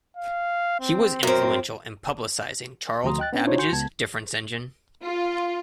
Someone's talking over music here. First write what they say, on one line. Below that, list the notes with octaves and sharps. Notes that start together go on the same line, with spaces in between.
He was influential in publicising Charles Babbage's difference engine.
F5
C4
F#2 C4 A#4
D2 F3 F#4 A#5 C6 D#6
D#5 G5 F#6 A6
B3 C#4 D4
D4 D#4 F4 C5 C#5 A#5
F#4 G#5 C6 G6 C#7
C#2 B3 A5 G#6
F4